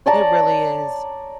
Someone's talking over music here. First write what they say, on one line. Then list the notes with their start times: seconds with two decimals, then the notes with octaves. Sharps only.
It really is.
0.06 C#5 D5 A5 A#5